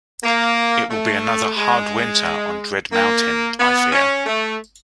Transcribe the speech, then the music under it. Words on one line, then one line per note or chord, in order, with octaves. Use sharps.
It will be another hard winter on Dread Mountain, I fear.
A#3
A3
G#3
A#3
B3
C#4
A3